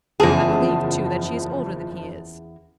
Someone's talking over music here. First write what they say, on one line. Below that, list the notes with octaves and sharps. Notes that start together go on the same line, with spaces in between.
I believe, too, that she is older than he is.
F#1 E2 F3 G#4 A5